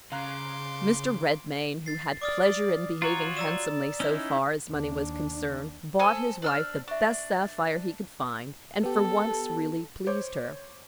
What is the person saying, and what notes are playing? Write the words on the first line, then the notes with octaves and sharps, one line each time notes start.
Mr. Redmain, who had pleasure in behaving handsomely so far as money was concerned, bought his wife the best sapphire he could find, and, for once, really pleased her.
C#3 F5 A#5 C6 D6 F#6
A6 C7
D5 D6 D#6 F6
F4 F#4 C#5 A#5 A6
D5 A#5 E6 E7
C#4 D#4 E4 E6
D#2 D4
A4 C5 G#5 C6 D#6
D4 E6 F6
D4 E5 C#6
B3 G4 A4
C5 C#5 D6 G6